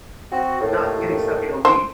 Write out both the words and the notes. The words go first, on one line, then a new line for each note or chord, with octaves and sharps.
not getting stuff you don't need.
C4 F#4
D#2 A2
C5